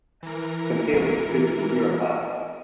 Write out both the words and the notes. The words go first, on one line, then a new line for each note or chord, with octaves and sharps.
Compare with the kutsinhira part.
E3 A#4